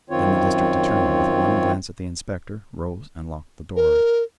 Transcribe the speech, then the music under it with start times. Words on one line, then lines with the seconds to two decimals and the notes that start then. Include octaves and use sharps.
Then the district attorney, with one glance at the inspector, rose and locked the door.
0.10 F#2 D#3 C4 F4 C#5
3.76 A#4